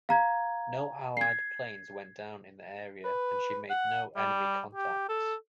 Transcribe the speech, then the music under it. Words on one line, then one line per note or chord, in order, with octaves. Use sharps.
No Allied planes went down in the area, and she made no enemy contacts.
F5 A#5 G#6
G#6 C7
B4
F#5
G3
G4
A4